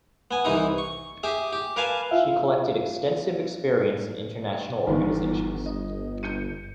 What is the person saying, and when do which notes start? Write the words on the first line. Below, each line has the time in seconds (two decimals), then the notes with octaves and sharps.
She collected extensive experience in international organizations.
0.31 B3 G#5
0.44 C2 E3 D#4 E4 D#6
0.78 C#6
1.23 G4 G#4 E5
1.53 G4
1.76 A#4 B4 F5 G#5 A5
2.11 E4 F4 E5 F5
4.87 G1 E2 G#2 D#3
5.66 D#5
6.23 G6 C#7 D#7